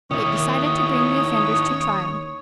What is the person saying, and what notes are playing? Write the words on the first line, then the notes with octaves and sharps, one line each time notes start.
It decided to bring the offenders to trial.
D#2 D#3 C#4 E4 C#5 D#6